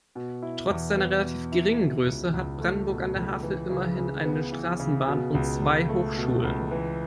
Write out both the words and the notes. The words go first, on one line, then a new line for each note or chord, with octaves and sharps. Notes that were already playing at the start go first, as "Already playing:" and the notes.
Trotz seiner relativ geringen Größe hat Brandenburg an der Havel immerhin eine Straßenbahn und zwei Hochschulen.
B2
E4
E2
B3
B2
E4
B2
C#2
C#2
A3
B2
C#2
E3
C#3
C#3
B3
E3
C#3
B2
C#2
C#2
A3
B2
C#2
E3